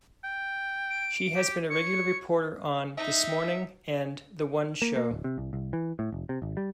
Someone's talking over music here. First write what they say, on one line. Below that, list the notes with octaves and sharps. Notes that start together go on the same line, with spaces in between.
She has been a regular reporter on "This Morning" and "The One Show".
G5
D7
G4
C#5 C#7
D#4 E5
A#3
A#3
D1
C3
C2
C2
E3
A2
F1
C3
G#1
G3